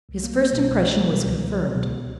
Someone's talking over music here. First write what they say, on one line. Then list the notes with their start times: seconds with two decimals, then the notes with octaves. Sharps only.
His first impression was confirmed.
0.09 C2
0.24 A#3
0.38 G3
0.53 B2
0.67 C2
0.81 A#3
0.96 G3
1.11 B2
1.25 C#2
1.39 C#2
1.54 F#3
1.69 B2
1.84 C#2